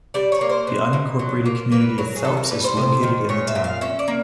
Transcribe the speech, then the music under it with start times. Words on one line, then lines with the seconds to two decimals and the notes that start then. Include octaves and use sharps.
The unincorporated community of Phelps is located in the town.
0.14 G3 D5
0.32 C#5
0.41 A#3
0.49 C5
0.67 B2
0.93 B2
1.19 F#3
1.46 A#3
1.72 A#3 B4
1.98 F#3 A#4
2.16 G#4
2.24 C3 A4
2.37 A#4
2.50 G3 B4
2.64 C5
2.77 C3
3.03 D#3
3.29 A#2 C#5
3.47 E5
3.55 A#2
3.64 F5
3.81 C#4 E5
3.99 D5
4.08 A#3